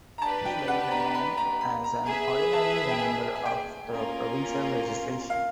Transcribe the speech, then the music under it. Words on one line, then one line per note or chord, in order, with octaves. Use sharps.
He will remain as an ordinary member of the provincial legislature.
A#5
D4 G4 B4 A5
G5
F#5
A#5
B5
A#5
B5
A#5
G#4 B4 E5 G#5
A5
G5
G#5
G#5
G5
A#3 C#4 F4 A#4
F5